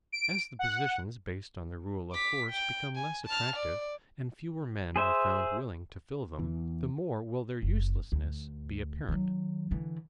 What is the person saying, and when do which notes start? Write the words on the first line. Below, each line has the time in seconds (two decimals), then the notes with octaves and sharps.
As the positions based on the rule of force become less attractive and fewer men are found willing to fill them, the more will their uselessness be apparent.
0.12 D7
0.59 F#5
2.12 D6 B6
2.50 G5
2.96 G#5
3.26 A5 F6
3.56 D5
4.96 G#4 C5 E5
6.39 E2 E3
7.62 F#1
8.12 D2
9.09 D#3 F#3
9.71 D3 E3